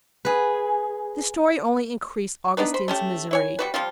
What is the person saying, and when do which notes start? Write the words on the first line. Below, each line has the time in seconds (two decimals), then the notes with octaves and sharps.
This story only increased Augustine's misery.
0.25 G#4 B4
2.57 B3 D4 D#4 B4
2.74 C5 B5
2.88 A3 C#4 G4
3.31 E4 C#5 G#5
3.59 G3 F#4 B4
3.74 F3 G3 C4 F4